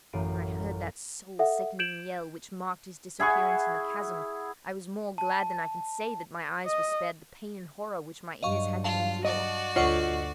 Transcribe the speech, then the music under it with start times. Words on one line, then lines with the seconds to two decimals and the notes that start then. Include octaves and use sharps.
When I heard that soul-sickening yell, which marked his disappearance in the chasm, I was more glad than I can say that my eyes were spared the pain and horror which my ears had to endure.
0.13 A1 F#2 F5 B5 D7 D#7
1.39 A4 E5 F#5
1.79 G6 G#6 D7 E7 F#7
3.20 E4 G#4 F#5 C#6
5.18 A5
6.66 D#5
8.43 G2 F#3 D#5 F5 C#6
8.84 F4 F5 A5
9.25 F#4 D5 D#5
9.76 D2 F4 C#5 D#5 F#5 C#6